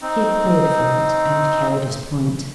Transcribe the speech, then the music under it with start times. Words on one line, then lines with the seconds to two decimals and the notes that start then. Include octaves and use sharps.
He had played for it, and carried his point.
0.02 C4 D#4